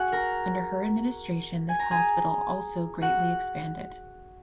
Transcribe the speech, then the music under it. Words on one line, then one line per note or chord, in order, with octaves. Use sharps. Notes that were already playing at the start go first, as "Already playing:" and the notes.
Under her administration this hospital also greatly expanded.
Already playing: F#4 G#4 F#5 G#5
A#4 A#5
G#5
A#5
G#4 G#5
F#4 F#5